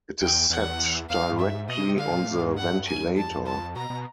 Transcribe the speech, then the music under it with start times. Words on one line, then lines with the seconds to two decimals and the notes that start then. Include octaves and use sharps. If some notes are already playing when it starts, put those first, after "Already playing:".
It is set directly on the ventilator.
0.20 E2 G5
0.50 E2 F#5
1.09 E2 F5
1.24 F2
1.32 G#2
1.39 G2 E5
1.54 G#2
1.68 B2 D#5
1.78 C#3
1.83 C3
1.98 D3 F5
2.12 A#2
2.27 A2
2.42 G#2
2.57 G2 F#5
2.87 F#2 G#5
3.16 F2 A5
3.31 F2
3.46 A5
3.76 B2 A#5
3.90 B2